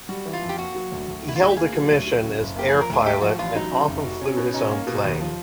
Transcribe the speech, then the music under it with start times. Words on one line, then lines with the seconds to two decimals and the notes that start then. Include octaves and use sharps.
He held a commission as Air Pilot and often flew his own plane.
0.09 G3 F#4
0.25 E3
0.33 F4
0.42 F2
0.49 G4
0.58 A#3 F#4
0.74 F#3
0.92 D2
1.08 D2
1.24 D#3 E4
1.36 F4
1.41 D2 F#4
1.50 G4
1.57 A#3 G#4
1.73 F#3
1.90 D2
2.06 F#3
2.23 C#3
2.39 F#1
2.56 A#3 G4
2.69 F3 G#4
2.81 A#4
2.89 D2 G#4
3.06 A3 G4
3.22 F3 F#4
3.38 A1 F4
3.55 F#3 D#4
3.72 C#3
3.88 F1
4.04 F#4
4.21 C#4
4.37 B2
4.54 C#4 D#4
4.71 A#3
4.87 B2
5.04 D#2
5.20 F3